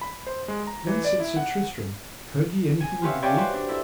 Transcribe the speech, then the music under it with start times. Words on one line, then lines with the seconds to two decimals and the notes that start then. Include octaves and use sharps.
Then said Sir Tristram: Heard ye anything of me?
0.01 B5
0.27 C5
0.48 G#3
0.67 A#5
0.87 E3
1.04 D5
1.20 E4
1.36 F#5
2.80 G#5
3.02 F4 G4 B4 C#5 E5 F5
3.22 C#5 D5 F5 G5 G#5 B5
3.36 F#4 G4 B4 C5
3.54 D4
3.69 E4 A4 E5